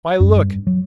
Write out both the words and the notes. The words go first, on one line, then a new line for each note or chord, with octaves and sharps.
Why, look!
F#2
G2
F#3